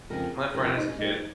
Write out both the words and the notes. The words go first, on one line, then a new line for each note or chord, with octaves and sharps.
My friend has a kid,
F2 C#3 F3 A#4
F2 C#3 F3 A#4
F4
D#4
C#4
A#2 G3 D#4
D#4